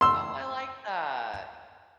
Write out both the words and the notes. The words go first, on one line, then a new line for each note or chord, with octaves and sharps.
Oh, I like that.
C6 E6